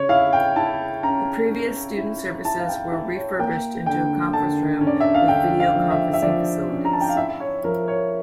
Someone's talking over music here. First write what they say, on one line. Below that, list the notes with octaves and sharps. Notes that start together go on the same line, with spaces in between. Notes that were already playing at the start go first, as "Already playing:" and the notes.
The previous Student Services were refurbished into a Conference room with video conferencing facilities.
Already playing: C#3 C#5
E4 F5
G5
E4 A5
C#4 A#5
C#4
E4
E4 A5
F5
G5
E4 E5
C#5
A#3 G5
D3 G5
D3 A5
C#4
D5
E5
F5
D3 G5
F5
F3
E5
E5
F3 D5
C#4
A#5
A5
G5
F5
E4 E5
C#5
F3 A#4
C#5